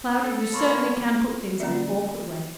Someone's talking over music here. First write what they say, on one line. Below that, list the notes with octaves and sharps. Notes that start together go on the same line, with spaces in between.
Cloudy, you certainly can put things in an awkward way.
A4
A#3 C#5 B5 C6
D3 A#3 C#4 D5 E5